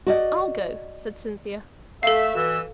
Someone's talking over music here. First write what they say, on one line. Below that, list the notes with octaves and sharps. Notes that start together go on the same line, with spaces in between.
"I'll go," said Cynthia.
F#4 D5 D#5
A3 A4 E5 F5
B2 E3 E6